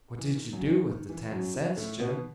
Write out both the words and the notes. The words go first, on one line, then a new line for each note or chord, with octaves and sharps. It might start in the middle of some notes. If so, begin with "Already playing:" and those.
"What did you do with the ten cents, Jim?"
E3
D#3
F#2 F#3
E3
D#3
E3
F#2 F#3
E3
A2 A3
B2 B3